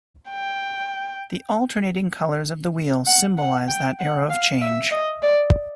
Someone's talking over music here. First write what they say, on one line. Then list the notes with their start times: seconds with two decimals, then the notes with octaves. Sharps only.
The alternating colors of the wheel symbolize that era of change.
0.30 G5
3.07 F#5
3.38 F#5
3.68 G5
3.99 F#5
4.30 F5
4.61 E5
4.91 D#5
5.22 D5